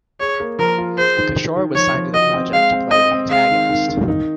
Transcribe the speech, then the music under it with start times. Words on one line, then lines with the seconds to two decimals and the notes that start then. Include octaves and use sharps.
Kishore was signed to the project to play the antagonist.
0.20 G#4 C#5
0.40 A#3
0.59 F3 A#4
0.78 F4
0.98 G#4 C5
1.17 D#3
1.37 D#3
1.56 D#3
1.75 F3 C#5
1.94 F3
2.14 F#4 D#5
2.34 C4
2.52 G#3 F5
2.72 C4
2.91 C4 D#5
3.11 C4
3.30 G#3 F5
3.50 D#3
3.69 D#3
3.88 D#3
4.08 D#4